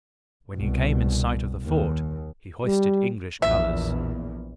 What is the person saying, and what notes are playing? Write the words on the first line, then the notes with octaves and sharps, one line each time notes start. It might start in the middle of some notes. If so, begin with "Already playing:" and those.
When he came in sight of the fort he hoisted English colors.
C2 B2
D#2
G3
A#1 E2 A#2 E5